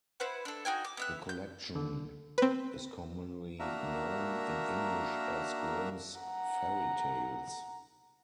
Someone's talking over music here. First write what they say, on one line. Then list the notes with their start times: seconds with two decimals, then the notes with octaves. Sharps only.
The collection is commonly known in English as Grimms' Fairy Tales.
0.20 E4 B4 C5 F#5
0.45 D4 A4
0.65 D#4 F#4 G5 G#5
0.85 D6
0.97 B3 E5 F#6
1.29 G6
1.75 D3
2.38 C4 B4
3.59 A#3 D4 F#4 A#4 E5 A#5
6.20 F#5 A#5